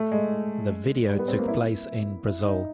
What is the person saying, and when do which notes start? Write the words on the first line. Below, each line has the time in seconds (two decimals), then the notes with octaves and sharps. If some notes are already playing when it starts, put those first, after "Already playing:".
The video took place in Brazil.
Already playing: A3
0.11 G#3
1.09 G3
1.19 B3
1.28 C4
1.39 A#3
1.48 E4
2.26 E4
2.45 D#4